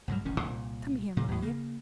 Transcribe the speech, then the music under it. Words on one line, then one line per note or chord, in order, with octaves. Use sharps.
Come here, Maria!
C2 G#2 F#3 G3
E1 A1 D#3 C#4
C2 A#2
A#2 C#3 A#3
E2 A2
C#3 A#3